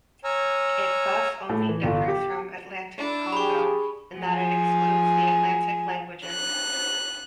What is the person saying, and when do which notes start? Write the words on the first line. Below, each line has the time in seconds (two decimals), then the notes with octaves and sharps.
It thus only differs from Atlantic-Congo in that it excludes the Atlantic languages.
0.24 C#5 G#5 A#5 E6 F6
1.50 A2
1.69 E3
1.83 G1
2.08 G4
2.98 D4 E4
3.32 G4 G#4 B5 C#6
4.18 F3 G#4
6.27 F#6